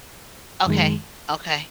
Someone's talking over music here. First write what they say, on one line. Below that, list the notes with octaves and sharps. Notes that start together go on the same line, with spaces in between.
Okay. Okay.
F#2 D#3 G#3